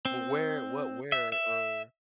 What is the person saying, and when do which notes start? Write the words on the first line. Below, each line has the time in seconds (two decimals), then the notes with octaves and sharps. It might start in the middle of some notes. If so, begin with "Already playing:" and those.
Well, where what where or
0.05 C4
1.12 E5
1.32 E5